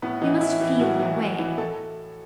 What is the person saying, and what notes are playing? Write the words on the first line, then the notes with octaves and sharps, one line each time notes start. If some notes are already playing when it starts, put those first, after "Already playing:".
We must feel our way.
A2 B3
E3 D#4
A2 E4
E3
A2 F#4
E3
A2
E3
A4